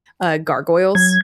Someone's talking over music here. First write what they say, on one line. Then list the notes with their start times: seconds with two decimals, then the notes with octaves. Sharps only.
uh, Gargoyles?
0.95 F#3 G#6